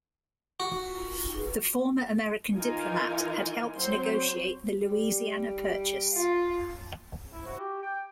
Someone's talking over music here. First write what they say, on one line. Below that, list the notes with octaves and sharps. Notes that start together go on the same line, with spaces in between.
The former American diplomat had helped negotiate the Louisiana Purchase.
F#4
E3 D#4 F4 A#4 G#5
F#3 C4 C5
G3
F4
E4
F#4
G4
G5